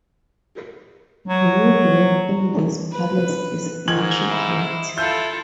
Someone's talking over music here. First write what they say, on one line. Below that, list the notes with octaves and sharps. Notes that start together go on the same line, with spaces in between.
The woodwork in this palace is intricate.
F#3
B4
G#2 D#3 G#6 F#7
E4
E4 F4 A4 G6